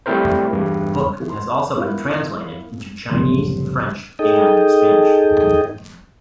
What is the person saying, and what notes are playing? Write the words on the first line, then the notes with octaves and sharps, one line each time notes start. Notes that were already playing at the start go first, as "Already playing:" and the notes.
The book has also been translated into Chinese, French and Spanish.
G3 A3 C4 E4 A#4 C5
E2 G2
C6
B3 E4 F4 A#4 F5
F#1 C2 A2 D3 F3 C6
D#4 G#4 A4 D#5 G5